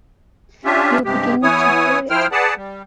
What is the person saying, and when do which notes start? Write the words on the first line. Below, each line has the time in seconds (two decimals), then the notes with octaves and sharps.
You begin to feel it.
0.65 C#4 D4 F4 G4 E5
1.05 G2 C3 G#3 G4
1.43 E3 B3 E4 C#5 G#5 D#6
2.10 F3 E4 C5 G5 F6
2.32 G#4 B4 D5 F#5 A5
2.56 G3